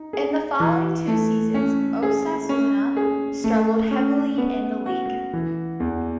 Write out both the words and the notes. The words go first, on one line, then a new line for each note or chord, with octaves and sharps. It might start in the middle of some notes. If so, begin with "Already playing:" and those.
In the following two seasons, Osasuna struggled heavily in the league.
Already playing: D#4
G#4
E3
A3
C#4
G#4
C#4
G#4
A3
C#4
B3
F#4
E3
E2